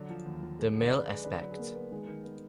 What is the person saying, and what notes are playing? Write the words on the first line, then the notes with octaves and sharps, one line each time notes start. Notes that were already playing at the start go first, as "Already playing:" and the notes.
De Mille aspect.
Already playing: D3 F#3 D5
F3
D#2
F3
G#3
D3
D5
D4 B4
G#3
D3 B4
D5
F#3 B4
G#4
F#3 A#3
B3
D#3 G#3
D#3
B3